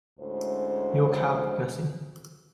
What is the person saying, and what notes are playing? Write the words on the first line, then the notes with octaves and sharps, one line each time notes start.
Your cab, Gussie.
D2 A2 G#3 C#4 C5